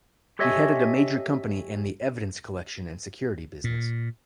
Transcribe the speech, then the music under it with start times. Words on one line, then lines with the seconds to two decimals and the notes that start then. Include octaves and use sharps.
He headed a major company in the evidence-collection and security business.
0.39 G4 A4 C#5 D#5 E5 G#5
3.64 A#2